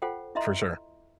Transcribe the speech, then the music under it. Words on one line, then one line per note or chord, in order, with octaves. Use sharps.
For sure.
F4 A4 C5 F#5 G5
E4 D#5 E5 A#5 C6